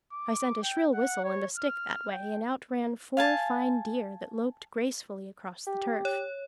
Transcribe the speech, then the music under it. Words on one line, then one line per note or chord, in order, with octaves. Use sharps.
I sent a shrill whistle and a stick that way, and out ran four fine deer that loped gracefully across the turf.
D6
G5
F#5
C#5
F6
G5
F5 G#5 A5
G4
C#5